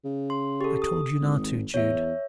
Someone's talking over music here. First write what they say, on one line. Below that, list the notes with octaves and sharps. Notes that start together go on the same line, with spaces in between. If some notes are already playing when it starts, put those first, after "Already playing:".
"I told you not to, Jude!"
C#3
C6
G4 A4
D#6
G#1
E2 C#5 E5